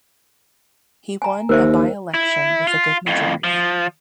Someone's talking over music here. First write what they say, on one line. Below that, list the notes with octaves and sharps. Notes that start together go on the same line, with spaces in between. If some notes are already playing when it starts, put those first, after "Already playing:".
He won a by-election with a good majority.
G#5 A#5
D#2 A#4 C5 E5
E4
F4
F2 A2
F3